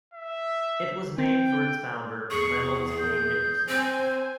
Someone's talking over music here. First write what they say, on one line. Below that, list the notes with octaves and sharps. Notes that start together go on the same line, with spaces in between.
It was named for its founder, Reynolds K. Nickerson.
E5
C4 G5
E2 G#4 C#6
G6
C4 C5 G#5